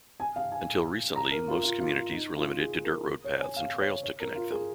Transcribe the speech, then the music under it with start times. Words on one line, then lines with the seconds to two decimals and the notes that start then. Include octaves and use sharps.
Until recently most communities were limited to dirt-road paths and trails to connect them.
0.20 G#5
0.36 F5
0.52 G#5
1.16 A#5
1.31 A#4
1.48 F4
1.63 F4
1.80 F4
1.96 F4
2.12 D#4
2.36 F4
2.60 G#4
2.84 A#4
3.24 C#5
3.39 G#5
3.56 F5
3.80 C#5
4.03 C#5
4.20 A#4
4.36 F4
4.52 G#4